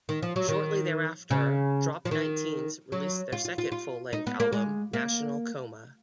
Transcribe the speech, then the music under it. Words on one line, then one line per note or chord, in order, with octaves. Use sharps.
Shortly thereafter, Drop Nineteens released their second full-length album, "National Coma".
D#3
F3
F#3
D#3
C#3
F3
D#3
F#3
F4
F4
F4
F4
D#4
B3
A#3
G#3
A#3